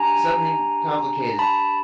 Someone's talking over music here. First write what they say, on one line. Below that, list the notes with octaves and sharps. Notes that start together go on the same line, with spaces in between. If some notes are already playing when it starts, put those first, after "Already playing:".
something complicated,
Already playing: D4 G4 G#5 A#5
A5 B5